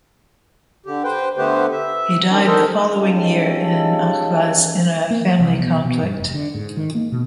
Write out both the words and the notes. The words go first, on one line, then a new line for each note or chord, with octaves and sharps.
He died the following year in Ahvaz in a family conflict.
D3 G4
B4 C5 G5
D3 A3 B3 G4 B4 C5
E5
D#3 G#3 C#4 D4
D#3 D4 A4 A#4 C5 D#5
G#3 C#4 D#4 F4 G4 A4
A#3
C2
B2
B2
G2
F1
D3
G#2
D#3
A#3
B2